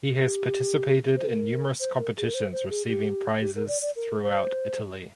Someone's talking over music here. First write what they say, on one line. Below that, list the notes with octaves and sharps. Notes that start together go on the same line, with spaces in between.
He has participated in numerous competitions receiving prizes throughout Italy.
G4
C5
A#4
C5
A#4
G#4
A#4
C5
C5
G#4
G4
G4
A#4
D5
D5
A#4
C5